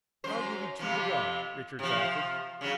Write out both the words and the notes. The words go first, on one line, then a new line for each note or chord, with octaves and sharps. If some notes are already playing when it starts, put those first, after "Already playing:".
"I'll give you two to one," Richards offered.
F#2 C5
F2 C3 F3
C3 F3
C#3 F#3